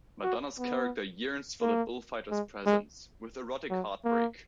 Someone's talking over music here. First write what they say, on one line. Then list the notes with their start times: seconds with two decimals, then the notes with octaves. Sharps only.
Madonna's character yearns for the bullfighter's presence, with erotic heartbreak.
0.23 F#4
0.59 B3
1.61 A#3
2.31 G#3
2.66 G#3
3.70 F#3
4.05 A#3